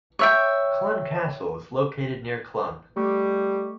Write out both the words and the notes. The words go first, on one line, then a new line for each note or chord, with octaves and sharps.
Clun Castle is located near Clun.
C#5 E5 G5
G3 A3 C#6 D6